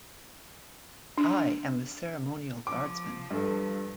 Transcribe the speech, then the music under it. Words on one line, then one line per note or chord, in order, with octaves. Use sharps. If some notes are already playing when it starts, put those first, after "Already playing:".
I am a Ceremonial Guardsman.
D4
F3 D6
G2 A4